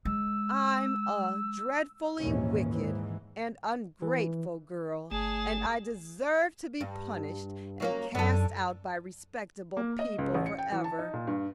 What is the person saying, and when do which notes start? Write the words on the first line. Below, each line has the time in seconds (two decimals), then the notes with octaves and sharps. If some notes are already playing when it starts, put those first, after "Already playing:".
I'm a dreadfully wicked and ungrateful girl, and I deserve to be punished and cast out by respectable people forever.
0.05 G#3 E6
2.19 A#1 D#2 G#2 D#3 E3 C#4
2.68 G#2 E3
4.02 E3
5.11 G1 A3 G#4 A5
6.81 G2
7.80 F#3 A#3 C#4
8.15 F#2 D3 A4
9.77 A#3
9.99 D#5
10.18 C#2
10.35 A1
10.46 C#7
10.58 G5
10.72 E3
10.84 A5
10.99 D#4
11.14 A#2
11.27 G2